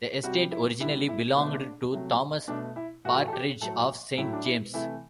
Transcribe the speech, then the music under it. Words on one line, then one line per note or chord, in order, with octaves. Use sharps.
The estate originally belonged to Thomas Partridge of Saint James.
C3 G3 F#4
E4
D3 G3 E4
E4
B2 A3 D4
C3 F#3 A3
B2 A3 D4
E4
A2 E3 A3 F#4
A4
G4
A2 F#3 A3 A4
A2 F#3 A3 E4
D4
E4
C3 E3 A3 E4